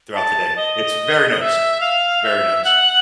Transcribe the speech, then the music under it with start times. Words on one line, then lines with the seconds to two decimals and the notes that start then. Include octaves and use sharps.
throughout the day. It's very noticeable, very noticeable.
0.14 A5
0.56 D#5
1.30 D#5
1.39 E5
1.81 F5
2.23 E5
2.64 F#5